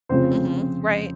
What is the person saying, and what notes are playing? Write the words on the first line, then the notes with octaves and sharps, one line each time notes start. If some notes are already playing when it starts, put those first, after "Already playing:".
Mhm. Right.
F1 F2 C#3 F3 C4 C5